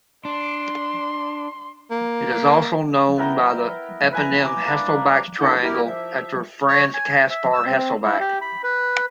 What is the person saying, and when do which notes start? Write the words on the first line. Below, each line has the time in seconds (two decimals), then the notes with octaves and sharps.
It is also known by the eponym Hesselbach's triangle, after Franz Kaspar Hesselbach.
0.25 D4 C6
1.91 A#3
3.17 B3 E4 A#4 G5
4.13 B4 G#5 A#5
4.45 D6
4.65 A#3 D4 B5
4.94 A#3
5.40 A#3 D4 E4 A4 F#5 G6
5.63 E4 G4 A#4
5.87 F3 E5
6.68 C#5
6.94 G#5
7.30 E5
7.53 E6
7.66 C4
8.04 E4
8.20 G4
8.41 B5
8.64 B4